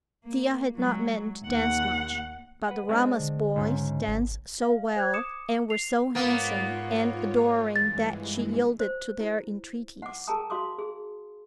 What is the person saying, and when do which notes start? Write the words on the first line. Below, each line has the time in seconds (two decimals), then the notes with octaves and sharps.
Thea had not meant to dance much, but the Ramas boys danced so well and were so handsome and adoring that she yielded to their entreaties.
0.24 A#3
0.76 F#3 G#3
1.45 D#2 F#5
2.68 B4 F#5
2.89 G#3 C4 D4
3.20 D3
3.56 C#2 G#2
4.07 G#1
4.62 F5
4.96 C5 F#6 G#6
5.13 D6 D#6 C#7 E7
5.70 C7 F7
6.15 G#2 A#3 B3 F4 C#5
7.76 G2 E3 G#3 A6
8.80 C5
9.20 E4
10.02 F#5 D6
10.27 G#4 A#4 G5 A5 A#5 D#6
10.50 F#4 F5 C6 D6 D#6
10.79 G#4